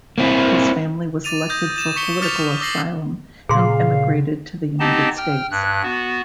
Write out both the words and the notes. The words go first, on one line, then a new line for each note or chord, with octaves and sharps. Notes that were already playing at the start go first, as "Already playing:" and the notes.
His family was selected for political asylum and emigrated to the United States.
A#3 C4 E4
D6 A6 D#7 F7
D#6 G6 A#6
A6 E7
C#6 B6 C#7 G7
D6 F6 A6 B6 C#7 F7
D6 E6 A#6 C7 F#7
A#2 C#3 G#4 F5 C6
B3 C4 D#4 G4 D#5 A5
G5 F6
G2 F#6
B3 F#4